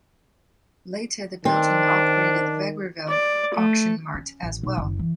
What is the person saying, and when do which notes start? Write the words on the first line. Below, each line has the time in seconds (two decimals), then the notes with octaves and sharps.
Later they built and operated the Vegreville Auction Mart as well.
1.45 D#3 C4 D4
3.09 D5
3.55 A3
4.14 C#4
4.43 A1
4.63 B1
4.78 F#1
4.99 E3